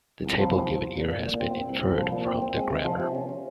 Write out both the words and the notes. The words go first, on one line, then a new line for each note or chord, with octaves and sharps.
The table given here has been inferred from the grammar.
C2
F3
C2
C2
C2
A#2
A#2
A#2
C4
C4
C2
C2
F3
A#2
C4
C4
G#3
C3
F3
C3
C#4
C#4